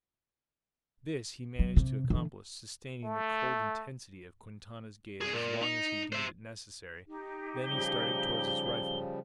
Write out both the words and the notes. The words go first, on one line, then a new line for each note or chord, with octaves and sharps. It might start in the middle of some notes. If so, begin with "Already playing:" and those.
This he managed to accomplish, sustaining the cold intensity of Quintana's gaze as long as he deemed it necessary. Then he started toward his rifle.
F#3
C3
D3 E3
A3
C2 G#4
A#2
D#4
C5 E5
D#4 G4
C#3 F3 G3 G7